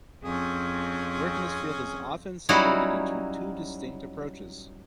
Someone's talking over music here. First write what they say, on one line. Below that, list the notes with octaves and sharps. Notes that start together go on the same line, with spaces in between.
Work in this field is often separated into two distinct approaches.
F2 C4 C#4 G#4
F#3 G3 C#4 D#4 E4 F#4